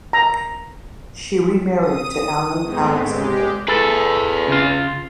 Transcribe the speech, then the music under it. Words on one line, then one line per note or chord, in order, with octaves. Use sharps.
She remarried to Allan Alexander.
A#5
D#6 D#7
G#2 G#3 A3 B3 C4
G#3 G4
G#4 A4 B4
C#3 F4